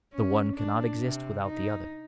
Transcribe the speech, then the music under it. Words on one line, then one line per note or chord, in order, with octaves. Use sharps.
The one cannot exist without the other.
C#4
D4
C3
D#4